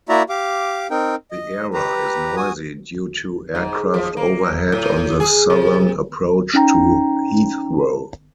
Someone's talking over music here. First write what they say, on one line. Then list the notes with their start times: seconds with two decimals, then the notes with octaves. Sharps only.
The area is noisy due to aircraft overhead on the southern approach to Heathrow.
0.09 A#3 E4 F#4 D5 E5 A#5
0.29 G4 F5 D6
0.91 C4 D#4 A#4 G5
1.31 D#5
1.74 G4 B4 A#5
2.36 F#4 G#5 D#6
3.55 G#2
3.94 F3
4.17 A#3
4.72 A2
5.20 G#4
5.50 C3
6.54 C#4 D#4 G5 A#5